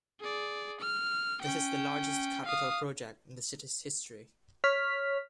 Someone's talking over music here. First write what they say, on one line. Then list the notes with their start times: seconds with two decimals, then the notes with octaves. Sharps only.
This is the largest capital project in the city's history.
0.20 G#4 D5
0.80 F6
1.42 C#4 G5
2.45 F5 D#6
4.64 C#5 F6 B6